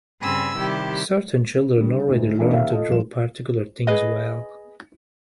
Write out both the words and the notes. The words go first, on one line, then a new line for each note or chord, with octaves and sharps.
Certain children already learned to draw particular things well.
G2 C#3 C4 G#5 B5 E6
C3 D#3 G3 E4 G4
D3 G3
D2 G#2
E3 A3 A#3 C4 D4 D#4
D#2 A#4 E5 F5
F4 A4 D#5
D#1 F3 E7
G#4 B4 D#5